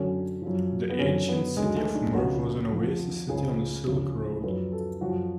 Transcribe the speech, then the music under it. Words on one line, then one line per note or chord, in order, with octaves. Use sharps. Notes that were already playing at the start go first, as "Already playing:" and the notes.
The ancient city of Merv was an oasis city on the Silk Road.
Already playing: F#2 D3 F#3 C#4
F#2 F3
B3
F#2 D3 F#3 C#4
B3
D2 D3 F#3 G#3
A3
D4
C#2 C#3 F3 F#4
F2 F3
C#2 C#3 F3 G#4
D2 C#3 F3
F#2 F3 B4
A4
F#2 F3 F#4